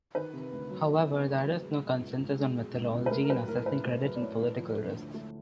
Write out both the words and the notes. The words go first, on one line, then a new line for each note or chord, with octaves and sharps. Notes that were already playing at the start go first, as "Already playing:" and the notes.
However, there is no consensus on methodology in assessing credit and political risks.
D#3 B4
C3
D2
F#3
D#3
C3
D2
F#3
G#3
B2
C#2
C#2
G#3
B2
C#2
C#2
B4
A3 A#4
A#4
F#3 B4
A2 A#4
A2 B4
A3 C5
F#3
D5
A2 C#5
A2
F3
D3
D2
A3